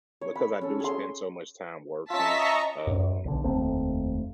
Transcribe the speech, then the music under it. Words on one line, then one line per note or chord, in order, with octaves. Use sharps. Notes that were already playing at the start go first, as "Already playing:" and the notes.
because I do spend so much time working, um,
C#5
B5
C#4 A4
G#4 C6
C#4 F4 D#5 E5 A5 A#5 C#6 B6
F#2
B1 D3
F1 D#2 A3 C4